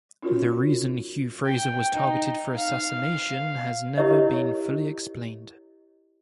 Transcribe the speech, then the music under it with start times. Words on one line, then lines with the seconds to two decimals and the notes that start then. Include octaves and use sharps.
The reason Hugh Fraser was targeted for assassination has never been fully explained.
0.23 C#4 D#4 F4 F#4 A#4 C#5
1.46 G5
1.94 D#4
2.56 F5
3.97 E4 G4 A#4 C#5 D#5